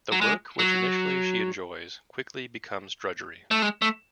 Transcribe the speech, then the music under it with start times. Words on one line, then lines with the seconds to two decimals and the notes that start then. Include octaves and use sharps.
The work, which initially she enjoys, quickly becomes drudgery.
0.12 F#3
0.21 G#3
0.59 F#3
3.51 A3
3.62 G#3
3.82 A3